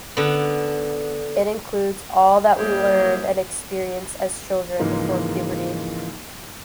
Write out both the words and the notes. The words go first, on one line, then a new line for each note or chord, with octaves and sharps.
It includes all that we learned and experienced as children, before puberty.
D3 B3
C2 F#2 G3 A#3 G4 G#4
G#2 C#3 E3 F3 G#3 A#3